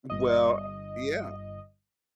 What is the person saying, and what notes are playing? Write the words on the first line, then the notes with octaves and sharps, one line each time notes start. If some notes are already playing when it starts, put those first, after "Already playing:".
Well, yeah
G1 D#5